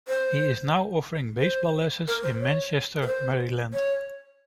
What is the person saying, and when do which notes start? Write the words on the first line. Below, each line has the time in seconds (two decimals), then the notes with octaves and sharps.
He is now offering baseball lessons in Manchester, Maryland.
0.08 C5
1.40 C5
2.08 A#4
2.23 C5
2.40 C#5
3.02 A#4
3.07 C5
3.73 C#5